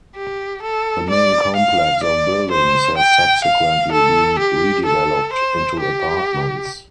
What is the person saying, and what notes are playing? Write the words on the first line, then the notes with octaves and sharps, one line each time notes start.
The main complex of buildings has subsequently been redeveloped into apartments.
G4
A4
D5
F5
D5
C5
G5
F5
A4
G4
A4
C5
G4